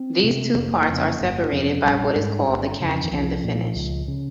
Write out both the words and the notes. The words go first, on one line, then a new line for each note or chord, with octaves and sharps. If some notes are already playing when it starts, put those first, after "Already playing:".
These two parts are separated by what is called the "catch" and the "finish".
Already playing: C4
C3
F1 A#3
F2 C#3
G1
F2 C3
A#1 G3
G#2
G1
F2 C#3
D#3
C2 F3
A#2
C#2
C#3